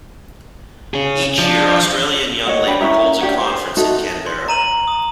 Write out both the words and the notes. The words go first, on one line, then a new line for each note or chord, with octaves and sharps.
Each year Australian Young Labor holds a conference in Canberra.
C#4 G#4
F3 D4
C#5 D#5 F#5
D4 G5 B5
C#4 E4 E5 A#5
D4 G4 C#5 F#5
C5
D#4 F#4 A4 E5
C6
A#5 D#7 F#7
D#6